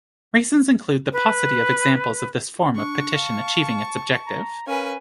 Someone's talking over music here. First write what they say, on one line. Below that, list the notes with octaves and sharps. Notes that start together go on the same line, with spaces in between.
Reasons include the paucity of examples of this form of petition achieving its objective.
B4
D4 C#6
F5 A5
A#5
C#4 A#4 B4 F5 G#5